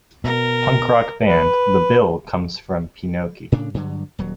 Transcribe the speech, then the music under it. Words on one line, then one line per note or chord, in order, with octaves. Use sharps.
Punk rock band The Bill comes from Pionki.
B2 A#4
B4
A2 C#3 D4
G2 D3 F#3
D#1 F#3